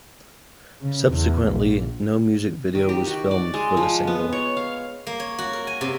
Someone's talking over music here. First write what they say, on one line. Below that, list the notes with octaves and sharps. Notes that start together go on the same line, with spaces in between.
Subsequently, no music video was filmed for the single.
C#3
E2
A#1
D#3
G4
F#4
D5
G#3
F3
B3
C#5
F5
A#3
C#5
F#4
A#4
G#5
C3